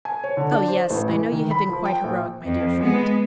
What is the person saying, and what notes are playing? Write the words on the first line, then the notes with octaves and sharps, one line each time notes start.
"Oh! yes, I know you have been quite heroic, my dear friend."
G#5
C#5
D3
D4
C5
A1
E3
D#3
B5
F3
G5
A#1
F2
G#3 B3